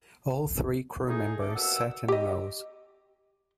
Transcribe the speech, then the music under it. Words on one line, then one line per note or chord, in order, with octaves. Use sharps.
All three crew members sat in the nose.
A2 D#4 G#4
F2 A3 D4 A4 D6
D#2 B2 F#5 E6
G4 D#5